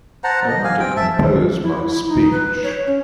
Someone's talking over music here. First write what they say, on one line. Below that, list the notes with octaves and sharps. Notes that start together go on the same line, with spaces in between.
I want to compose my speech.
C5 F#5 A5 A#5
D#5
F5 G#5
C4 G5
E5 A5
E4
E4
D#4
B4
C#5
C#4